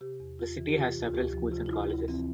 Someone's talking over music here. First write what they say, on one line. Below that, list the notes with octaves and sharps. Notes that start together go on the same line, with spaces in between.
The city has several schools and colleges.
C3 G4
E2
E2 F4
E3
G4
C3 F4
D2
F4
D2 G4
F3
C3 F4
E4
D2 F4
D2 E4
E3 C4